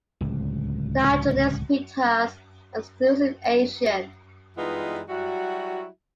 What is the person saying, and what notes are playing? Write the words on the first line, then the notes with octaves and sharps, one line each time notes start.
The "Hydrornis" pittas are exclusively Asian.
D1 C#2
E3 G3 G#3 B3 D#4 F4
F#3 G3 E4 F#4